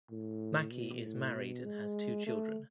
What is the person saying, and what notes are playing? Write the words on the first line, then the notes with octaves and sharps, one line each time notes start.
Mackie is married and has two children.
A2
B2
A2
B2
G#3
A3